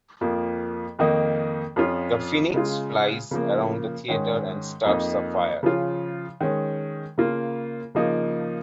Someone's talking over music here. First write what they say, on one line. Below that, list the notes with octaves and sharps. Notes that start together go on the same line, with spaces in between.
The Phoenix flies around the theatre and starts a fire.
F2 F3 A#3
F2 D#3 A#3 D#4
F2 F3 C#4 F4
C#3 G#3 F4
C#3 F3 A#3
G#2 D#3 C#4
F2 F3 A#3 D#4
C#3 F3 C#4 F4
D#3 G#3 C#4
C#3 A#3 F4
C#3 F3 A#3 D#4